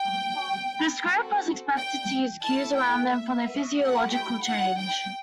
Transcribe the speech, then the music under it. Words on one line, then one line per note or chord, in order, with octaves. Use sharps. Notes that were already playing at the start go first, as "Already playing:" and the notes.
This group was expected to use cues around them for their physiological change.
Already playing: G5
C4 F#4 A4
G5
A3 E4 A4 A5
G5
E5
A3 E4 G4 F#5
G5
F#5
G5